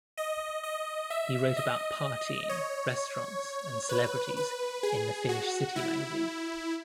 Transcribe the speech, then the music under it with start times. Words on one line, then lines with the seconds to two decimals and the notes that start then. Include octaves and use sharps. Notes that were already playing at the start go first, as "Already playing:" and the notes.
He wrote about partying, restaurants and celebrities in the Finnish City magazine.
0.17 D#5
0.63 D#5
1.10 E5
1.57 D#5
2.49 C#5
3.89 B4
4.37 B4
4.83 G#4
5.29 F#4
5.76 E4